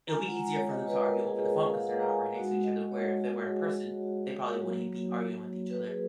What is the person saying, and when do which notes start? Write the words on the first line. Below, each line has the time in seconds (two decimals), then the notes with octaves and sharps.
it'll be easier for them to argue over the phone 'cause they're not right next to each other, where if they were in person they probably wouldn't be arguing with each other
0.08 A#5
0.13 G#3 C#4 F4 G#5
0.27 F#5
0.56 C#5
0.70 D#5
0.87 B4
1.06 A#4
1.25 G#4
1.39 G#4
1.53 G#4
1.66 F5
1.80 F#5
1.99 A#5
2.09 G#5
2.36 G#3 D#4 F#4 F#5
2.64 D#5
2.92 C#5
3.20 F#4
3.47 G#4
3.76 F#4
4.03 F#4
4.31 C#5
4.59 F#3 A#3 D#4 F#4
5.70 B4
5.87 G#4